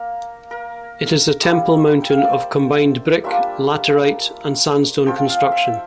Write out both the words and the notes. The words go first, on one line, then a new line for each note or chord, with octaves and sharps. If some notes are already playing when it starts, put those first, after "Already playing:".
It is a temple mountain of combined brick, laterite and sandstone construction.
Already playing: A#3 A#4
A#4
G3 A#3 E4
G5
F5
E5
D5
C5
G3 A#3 D4 F4 E5
F3 C4 F4 G5
F5
E5